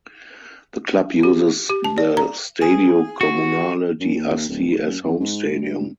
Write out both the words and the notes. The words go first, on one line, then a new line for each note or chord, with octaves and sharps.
The club uses the Stadio Comunale di Asti as home stadium.
G4
G4
A5
D5
A#5
G#4
F#4
F#2
D#2
D1
F#2
F2
G#2
G2